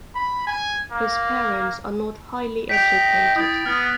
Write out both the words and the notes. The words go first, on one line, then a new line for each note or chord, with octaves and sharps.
His parents are not highly educated.
B5
G#5
A#3
D#5 G5 B6 D7 F7
E4 G5 D#6 A6
B3 F6